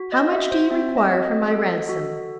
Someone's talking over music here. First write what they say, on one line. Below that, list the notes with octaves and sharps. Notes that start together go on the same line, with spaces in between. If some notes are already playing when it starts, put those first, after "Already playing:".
"How much do you require for my ransom?"
Already playing: F#4
D#5
F#4 E5
C5
C4 E5
D#5
F#4
D#5
A4
F#4